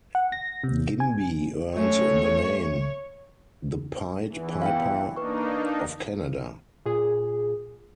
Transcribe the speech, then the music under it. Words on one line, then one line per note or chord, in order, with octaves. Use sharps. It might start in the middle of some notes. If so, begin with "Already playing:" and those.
Gimby earned the name the "Pied Piper of Canada".
F#5
A#6
C3
G#5
A3 C4 C#4 C#5
E2 E3
F5 G5
A#3 D4 D#4 B4 C#6
A#2 G#4